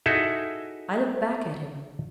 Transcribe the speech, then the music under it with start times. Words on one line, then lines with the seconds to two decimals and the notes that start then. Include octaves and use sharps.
I looked back at him.
0.06 D#4 E4 F#4 G#4 A4 E5